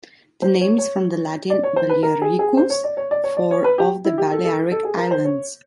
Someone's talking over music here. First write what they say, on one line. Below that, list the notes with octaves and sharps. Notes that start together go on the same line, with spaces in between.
The name is from the Latin "Baliaricus" for "of the Balearic Islands".
C5
C#5
C#5
D5
C#5
C5
B4
A#4
G#4
G#4
C5
C#5
D5
C#5
D5
C#5
D5
C#5
B4
G4
E4
G4
A4
A4
A4
G#4
A#4
C5
C#5